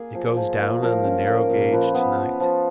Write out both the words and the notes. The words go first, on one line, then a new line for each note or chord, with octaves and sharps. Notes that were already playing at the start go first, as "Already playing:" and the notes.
It goes down on the narrow-gauge to-night.
Already playing: A#3 G#4
F3
F3
A#3
F3 A#4
C#4
A#3
A#2
F3 B4
B3
F3
F3